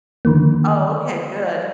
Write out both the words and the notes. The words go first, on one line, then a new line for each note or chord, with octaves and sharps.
Oh, okay, good.
D3 D#3 F3 A#3